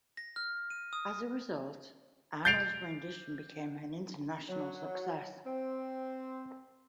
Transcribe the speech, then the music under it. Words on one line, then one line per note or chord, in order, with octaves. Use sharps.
As a result, Arnold's rendition became an international success.
A#6
F6
D#7
D#6
G6 A6 C7 D7 F7
F#3
C4